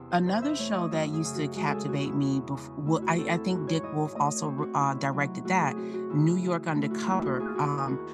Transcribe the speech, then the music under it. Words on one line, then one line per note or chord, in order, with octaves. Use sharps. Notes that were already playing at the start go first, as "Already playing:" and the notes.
another show that used to captivate me bef well, I I think Dick Wolf also wr uh, directed that, New York Undercover. Um,
Already playing: E2 C3 F#5
C5
E3 C5
E5
A3 C#5
D#5
F#2 E5
G#4
C#3
F#4
G#3 F#4
G#4 A4
E2 F#4
F#4
E4
E2 F#4
C#3
A3 E4
F#4
C4 A4
E4
G#2 F#4
C#5
E3 D#5
A3 D#5
C#5
C4
F#4
C3 E4
F#3
A3 F#4
G#4
C4 F#4
F#4
C#3 E4
E3
A3 E4
F#4
D#2 E4
F#4
D#2 G#4
F#4
D#3 E4
F#4